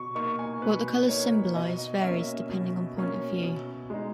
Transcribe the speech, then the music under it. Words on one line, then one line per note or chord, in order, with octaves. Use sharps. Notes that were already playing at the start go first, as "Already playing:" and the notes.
What the colours symbolise varies depending on point of view.
Already playing: B2 C#6
A#3 D#4 C#6
G#5
B2 B4
A#3 D#4 C#5
B2 D#5
A#3 C#4 E5
B2
A#3 C#4
B2
G#3 D#4